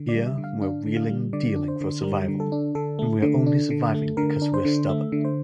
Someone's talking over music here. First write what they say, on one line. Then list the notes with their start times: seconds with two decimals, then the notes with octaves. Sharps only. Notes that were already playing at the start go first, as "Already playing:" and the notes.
Here, we're wheeling and dealing for survival, and we're only surviving because we're stubborn.
Already playing: D3
0.09 D5
0.15 G3
0.27 E5
0.38 D3
0.44 F5
0.62 D4 F5
0.86 D3
0.97 F5
1.10 G3
1.33 D3 D5
1.56 D4
1.68 C5
1.81 D3
2.04 G3 A#4
2.28 D3
2.40 A4
2.52 D4
2.75 D3 A4
2.99 A3
3.22 D3
3.46 D4
3.70 D3
3.94 A3
4.17 D3 A#4
4.42 D4
4.54 C5
4.65 D3
4.89 A3 E5
5.12 D3
5.25 C5